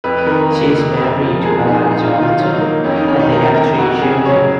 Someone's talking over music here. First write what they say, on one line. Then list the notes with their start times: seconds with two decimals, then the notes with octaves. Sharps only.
She is married to Allan Johnston and they have three children.
0.04 F2 B4
0.18 B4
0.26 D#3 A#4
0.50 A#3
0.74 F2
0.97 F2
1.21 F3
1.35 A#4
1.44 G#3 G#4
1.67 F2 D#4
1.91 G#2 D#4
2.01 F4
2.12 D#3 D#4
2.22 F4
2.32 D#4
2.38 F#3
2.43 F4
2.54 D#4
2.61 A#3
2.84 F2 C#4
2.96 D#4
3.08 D#3 C#4
3.19 D#4
3.32 A#3 A#4
3.54 F2 A#4
3.78 F2 F#4
4.01 C#3 G#4
4.25 F#3 C#5